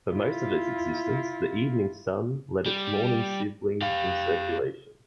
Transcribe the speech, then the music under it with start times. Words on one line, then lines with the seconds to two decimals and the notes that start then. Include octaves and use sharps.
For most of its existence, "The Evening Sun" led its morning sibling in circulation.
0.12 E4 F4
2.66 G3
3.82 G4 F5